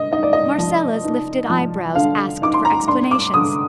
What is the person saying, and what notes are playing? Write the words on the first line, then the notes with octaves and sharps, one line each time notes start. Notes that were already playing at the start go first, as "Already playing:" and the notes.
Marcella's lifted eyebrows asked for explanations.
Already playing: D3 D#5
D#4 D#5
D5
D#5
F3
D#4
F3
D3 F5
D#4 D6
C6
A#5
D4 C6
D6
D3 D#6